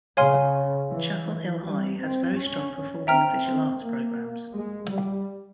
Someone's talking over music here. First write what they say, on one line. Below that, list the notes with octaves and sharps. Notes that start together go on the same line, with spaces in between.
Chapel Hill High has very strong performing and visual arts programs.
C#3 C#5 F5 G#5 C6 F6
E3
G3
C4
C#4
C4 E5 G5 A#5 F6
C4
A#3
G#3
G3